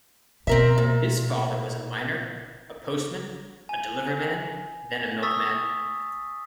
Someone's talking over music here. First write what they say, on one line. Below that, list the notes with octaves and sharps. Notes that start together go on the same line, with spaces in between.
His father was a miner, a postman, a delivery man then a milkman.
B2 C4 A#4 E5
A#2
G#5
C#6 D#6 E6 A6 B6